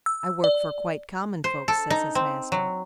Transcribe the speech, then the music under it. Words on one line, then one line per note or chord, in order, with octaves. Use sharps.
I work for quite common folks,' says his master.
E6
D5
C5
A4
D#4
C4
F#3